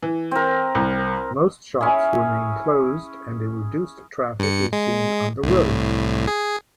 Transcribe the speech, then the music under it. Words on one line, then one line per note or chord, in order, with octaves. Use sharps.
Most shops remain closed and a reduced traffic is seen on the roads.
E3
C4 A#4
C2
C#4 E4 G#4
G2 C#7
G#3
C2 A2
G#4